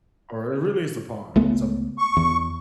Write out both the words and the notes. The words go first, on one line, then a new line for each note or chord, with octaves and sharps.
or really it's a pond it's a
C#2 A3 B3
C#6
E2